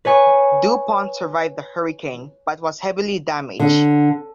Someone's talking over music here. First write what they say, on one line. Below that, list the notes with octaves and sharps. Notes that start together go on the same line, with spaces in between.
"Du Pont" survived the hurricane, but was heavily damaged.
B4 C#5 G#5 C#6
D3